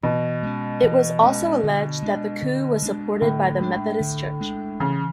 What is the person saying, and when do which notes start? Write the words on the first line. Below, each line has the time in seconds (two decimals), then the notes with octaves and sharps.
It was also alleged that the coup was supported by the Methodist church.
0.03 B2 E3
0.43 G#3 C#4
0.83 E3
1.23 G#3 C#4
1.63 D3
2.02 G#3 D4
2.42 D3
2.82 G#3 D4
3.22 A2 D3
3.61 G#3 D4
4.00 D3
4.41 G#3 D4
4.80 C#3 E3